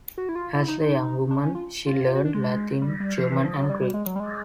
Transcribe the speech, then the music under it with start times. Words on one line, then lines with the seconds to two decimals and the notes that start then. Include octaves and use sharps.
As a young woman she learned Latin, German and Greek.
0.18 F#4
0.29 E4
0.36 F4
0.55 E4
0.68 D#4
0.80 D#4
1.31 D4
1.43 C#4
1.55 F4
1.86 F4
2.06 F4
2.15 F#4
2.25 D4
2.34 G#3
2.81 G3
3.00 G3
3.18 F3
3.31 E3
3.45 F3
3.57 F#3
3.69 G3
3.81 G3
3.94 G#3
4.06 F#3
4.16 G3
4.20 G#3